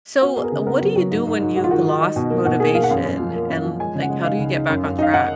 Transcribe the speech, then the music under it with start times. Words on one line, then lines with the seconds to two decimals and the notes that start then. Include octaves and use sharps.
So, what do you do when you've lost motivation, and, like, how do you get back on track?
0.22 B3 F#4
0.36 B3 G#4
0.44 A#4
0.51 C#3 G#4
0.67 B3 A#4
0.81 F#3
0.96 F#3
1.11 G#2
1.27 G#2
1.41 G#2
1.56 G#2 F#4
1.64 F4
1.71 D#3 F#4
1.85 D#3
2.01 D#4
2.16 B2
2.30 A#3
2.45 B2 F#4
2.60 A#3 G#4
2.75 A#3 F5
2.84 F#5
2.90 F#2 F5
3.05 F#2
3.20 F3
3.35 A#3
3.49 F#2
3.65 F3
3.80 G#3 G#5
3.95 C#3
4.02 F#5
4.09 G#3
4.24 D#4 F5
4.39 C#2
4.54 D#4
4.69 F#2
4.84 F#2
4.99 D#4 F5
5.14 D#4 F#5